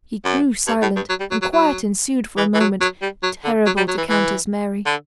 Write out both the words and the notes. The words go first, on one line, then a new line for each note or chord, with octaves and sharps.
He grew silent, and quiet ensued for a moment, terrible to Countess Mary.
F#2
G2
A2
G2
F#3
G3
F#3
F#3
F#3
E3
E3
F#3
F#3
G3
F#3
D3
F#3
G3
F#3
E3
E3
D3